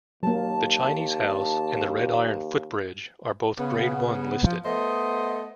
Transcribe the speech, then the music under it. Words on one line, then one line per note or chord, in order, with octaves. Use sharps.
The Chinese House and the red iron footbridge are both grade one listed.
D#2 F#3 A#3 A5
C#3 B3
F3
A3 B3 C5 D#5